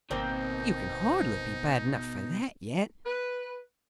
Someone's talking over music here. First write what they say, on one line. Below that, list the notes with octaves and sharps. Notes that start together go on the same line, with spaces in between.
But you can hardly be bad enough for that yet.
G#1 B2 A#3 C4 D#4
B4